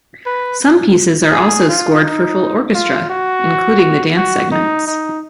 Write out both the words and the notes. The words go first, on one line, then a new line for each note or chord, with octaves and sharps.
Some pieces are also scored for full orchestra, including the dance segments.
B4
G#4
F4
D#4
F4
F#4
F#4
D#4
D#4